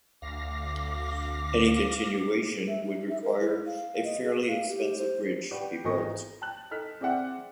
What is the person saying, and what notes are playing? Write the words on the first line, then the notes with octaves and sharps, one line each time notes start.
Any continuation would require a fairly expensive bridge to be built.
D2 F5 D6 A#6
E5
D#4
E5
A#4
E4
F5
D#5
G#4
F5
G4
C5
F#4 G4 B4 D5 G5
G#1 E3 B3 D#5 C#6 A#6
D#4
G5 A5 F#6 F#7
D#4 A4 F6 B6
C4 G#4 D5 E5 F#5 G5